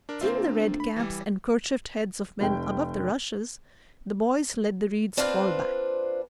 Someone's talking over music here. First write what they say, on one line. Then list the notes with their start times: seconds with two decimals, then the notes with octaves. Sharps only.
Seeing the red caps and kerchiefed heads of men above the rushes, the boys let the reeds fall back.
0.09 D4 A#4
0.21 D2 A#3 C4 F4 C5 E5
0.80 B5
0.96 E3 G3
2.40 F1 G5
5.17 C4 D4 F4 B4 C5 F5